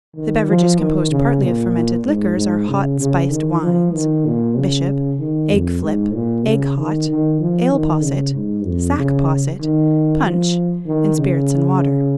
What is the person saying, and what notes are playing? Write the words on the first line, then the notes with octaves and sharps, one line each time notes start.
The beverages composed partly of fermented liquors, are hot spiced wines, bishop, egg-flip, egg-hot, ale posset, sack posset, punch, and spirits-and-water.
D#3
F3
D#3
C#3
A#2
G#2
G#2
C#3
C#3
D#3
F3
D#3
A#2
C#3
D#3
F2
G#2
A#2
C#3
D#3
D#3
F3
D#3
C#3
G#2
F2
C#3
D#3
F3
D#3
C#3